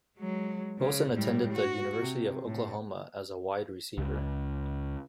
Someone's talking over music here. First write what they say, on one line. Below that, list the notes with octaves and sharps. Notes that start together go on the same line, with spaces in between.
Wilson attended the University of Oklahoma as a wide receiver.
F#3 G#3
C#3
A2 G3
F#4
C3
A2
C#2